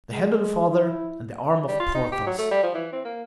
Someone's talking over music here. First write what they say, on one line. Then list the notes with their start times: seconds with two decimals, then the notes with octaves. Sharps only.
The head of the father, and the arm of Porthos.
0.13 G#3
0.69 E4
1.68 G3
1.80 F4
1.95 D#4
2.12 G4
2.26 F#3
2.38 A3
2.51 G3
2.63 F3
2.74 E3
2.93 C4
3.05 A#3